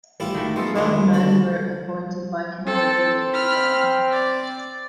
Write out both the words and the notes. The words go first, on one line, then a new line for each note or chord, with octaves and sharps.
Twelve men were appointed by him for building the town.
A1 G3 E4 F4
D#3 F#3 A3
G#3 B3 F4 A4
F2 D#3 A3 B3 D4 F4
D3 E3 F#4
C4 A4
B5 F6
D5